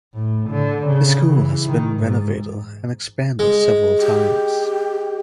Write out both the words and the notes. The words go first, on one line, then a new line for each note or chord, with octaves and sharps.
The school has been renovated and expanded several times.
A2
D3
C#3
E3
D#3
G#2
G#3
G4